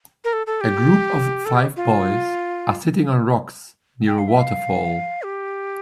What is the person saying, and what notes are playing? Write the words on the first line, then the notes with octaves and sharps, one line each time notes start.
A group of five boys are sitting on rocks near a waterfall.
A#4
A4
A4
G4
A4
G4
F4
G5
F5
E5
F5
G4